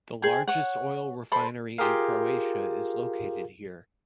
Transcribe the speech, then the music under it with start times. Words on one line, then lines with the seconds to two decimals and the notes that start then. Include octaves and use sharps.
The largest oil refinery in Croatia is located here.
0.22 G#4 C5 G5 G#5
0.48 C#5 F#5
1.32 A4 C5 B5 C6
1.78 F4 G4 G#4 A#4 F5